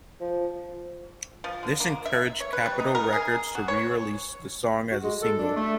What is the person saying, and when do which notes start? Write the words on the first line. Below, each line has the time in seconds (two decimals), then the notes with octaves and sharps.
This encouraged Capitol Records to re-release the song as a single.
0.21 F3
1.44 F3
1.63 D3
1.80 A#3
2.06 E5
2.40 C#5
2.53 B4
2.66 G3
2.80 D#4
2.95 A#4
3.13 G#4
3.55 F#4
3.68 C#5
4.91 F#4
5.03 G#3
5.21 A4
5.38 D4
5.56 A3